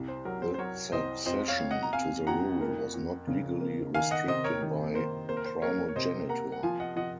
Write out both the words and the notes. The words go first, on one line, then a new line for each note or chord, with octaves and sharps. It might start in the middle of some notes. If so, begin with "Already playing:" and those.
The succession to the rule was not legally restricted by primogeniture.
Already playing: C2
C5
F#3 A#4
C5
C5
F#3 A#4 C#5
C2 C5 D#5
F2 C5 D#5
C#5 F5
C4
D#5 F#5
A#5
C4 F5 G#5
F2 F#5 A#5
A#3
F2
C#3
A#3
D#3 F5 G#5
D#5 F#5
C3 C5 D#5
A#4 C#5
D#3
A#3 C5
A#3 C5
A#4
C5
A#3 A#4 C#5
C#5
C3 C5 D#5
A#3 F#5 A#5
F#5
F3 F5 G#5
D#5 F#5
F3 D#5 F#5